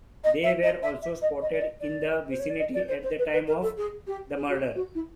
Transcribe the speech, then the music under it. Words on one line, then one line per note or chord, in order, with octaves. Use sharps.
They were also spotted in the vicinity at the time of the murder.
D#5
E5
D#5
E5
E5
D#5
D#5
D5
D#5
D5
C5
C#5
D5
D#5
D5
C5
C5
B4
B4
A#4
A4
G#4
G4
G#4
F#4
G4
F#4
E4